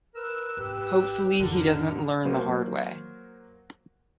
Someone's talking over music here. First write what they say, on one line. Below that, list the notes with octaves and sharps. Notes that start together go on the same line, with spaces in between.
Hopefully he doesn't learn the hard way.
A#4 B4 E6
G#1 G4
F2 A2 D3 A#4
F#3 A#3 F#4 C5